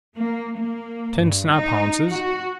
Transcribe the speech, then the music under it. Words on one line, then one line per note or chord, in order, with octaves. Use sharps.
Ten snaphaunces.
A#3
A#3
G2
D#4
F#4